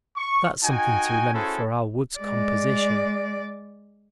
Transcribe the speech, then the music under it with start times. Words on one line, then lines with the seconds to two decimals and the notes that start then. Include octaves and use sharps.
That's something to remember for our woods composition.
0.17 C#6
0.64 D#4 F#4 G5 G#5
1.33 C#4 E4 F#4 G#4 A4 C5
2.19 G#3 D5